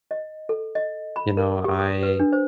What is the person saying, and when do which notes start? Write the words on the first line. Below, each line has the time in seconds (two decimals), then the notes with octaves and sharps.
you know, I
0.11 D#5
0.49 A4
0.75 D#5
1.16 B5
1.37 A#4
1.65 G4
1.79 D#6
2.03 B4
2.20 D4
2.33 C5